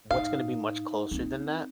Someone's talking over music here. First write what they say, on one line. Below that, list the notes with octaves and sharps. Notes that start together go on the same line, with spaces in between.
what's gonna be much closer than that
A2 D#4 F5
A#3 C4